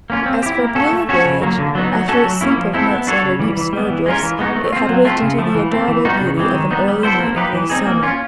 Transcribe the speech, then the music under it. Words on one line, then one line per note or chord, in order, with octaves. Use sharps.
As for Beulah village, after its sleep of months under deep snow-drifts it had waked into the adorable beauty of an early New England summer.
A#3 C#4 F4
C4
E4 G4
A#3
C#4 F#4 A4
A3
C#4 F#4 A4 C#5
C#3
F#3 A#3
D3
F#3 B3 D#4
F#3
A3 C#4 F#4 A4
F#3
A#3 C#4 E4
F3
G#3 C4 E4 A4
B3
D4 F#4 A4 C#5
C#3
E3 G3
E3
G3 B3
E3
G#3 C#4 F4 A#4
E3
G#3 B3 D#4 F#4
A3
C4 F4
F#3
A3 C4 F4
C#3
F3 A3
E3
A3 C4
E3
G3 B3 D#4 F#4
C#3
E3 G#3 C4
D#3
G3 B3 D#4
G3
B3 E4 A4 C5
A#3
D#4 G4 B4
E3
G3 C4 D#4 G#4
A#3
C#4 F4